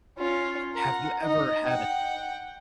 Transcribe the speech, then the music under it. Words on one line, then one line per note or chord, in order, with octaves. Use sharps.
have you ever had a
C#4 F4
A#4 F#5
D#4 D#5
F#5 G5